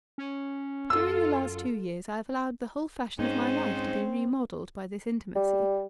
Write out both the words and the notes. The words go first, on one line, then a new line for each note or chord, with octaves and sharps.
During the last two years I have allowed the whole fashion of my life to be remodelled by this intimacy.
C#4
F#2 F4 A4 E6
G#2 C4 C#4 D#4 C5
G3